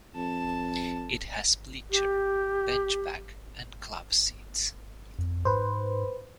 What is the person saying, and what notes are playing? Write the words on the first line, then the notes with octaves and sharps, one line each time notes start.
It has bleacher, bench-back, and club seats.
F2 A5
G4
F2
G#2 B4 C5